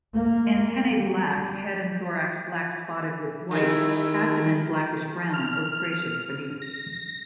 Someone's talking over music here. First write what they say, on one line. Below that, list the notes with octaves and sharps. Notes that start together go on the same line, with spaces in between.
Antennae black; head and thorax black spotted with white; abdomen blackish brown, ochraceous beneath.
A#3
G3
D#3 G3 E4
F6
A#6